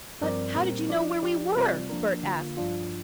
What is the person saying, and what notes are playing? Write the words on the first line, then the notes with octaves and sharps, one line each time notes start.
"But how did you know where we were?" Bert asked.
G2 F3 C4 A#4 D5
A#2 G3 C4 A#4
F3 D4 F4 D5
F3 D4 G4 D5
C3 G3 C4 F4 D5
F3 A#3 D4 A#4
D3 A#3 F4
G2 F3 D4 F4